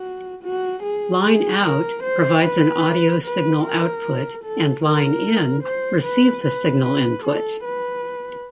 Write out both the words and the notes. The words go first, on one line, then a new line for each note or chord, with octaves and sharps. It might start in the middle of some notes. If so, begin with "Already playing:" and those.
"Line out" provides an audio signal output and "line in" receives a signal input.
Already playing: F#4
F#4
G#4
G#4
A#4
C5
B4
B4
A#4
A4
A#4
C5
B4
B4
B4
A4
B4